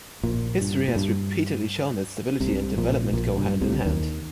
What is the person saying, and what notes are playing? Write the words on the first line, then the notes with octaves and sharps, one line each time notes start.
History has repeatedly shown that stability and development go hand in hand.
A#1 A#2
G2
A#2
G2
C2 C3
A#1 A#2
A#1 A#2
G2
C2 C3
D#2 D#3